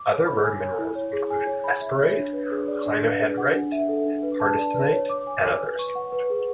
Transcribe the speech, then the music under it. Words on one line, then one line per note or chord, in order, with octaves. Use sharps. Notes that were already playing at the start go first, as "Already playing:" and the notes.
Other rare minerals include esperite, clinohedrite, hardystonite, and others.
Already playing: D6
C#5
B5
G#5
C#5
E4
C#5
G#4
G#5
C#5
B5
E5
C#5
D4
B4
G#4
D5
D4
B4
G#4
F#5
D4
E5
A4
D4
B4
A5
D5
B4
C#5
D6
G#5
C#5
B4
C#6
F#5
B4
G#4